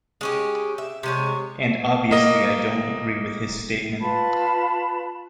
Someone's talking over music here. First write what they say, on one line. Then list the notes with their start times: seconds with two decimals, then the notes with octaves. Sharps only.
And obviously I don't agree with his statement.
0.21 G#3 C#4 G4
0.78 E5
1.03 C3 G#3 C#5
2.11 A#3 D#5
4.00 F4 B4 A5 B5